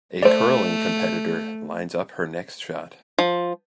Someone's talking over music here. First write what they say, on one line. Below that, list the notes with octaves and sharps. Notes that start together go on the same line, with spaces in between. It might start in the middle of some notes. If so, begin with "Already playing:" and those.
A curling competitor lines up her next shot.
A3 C5 D5
F3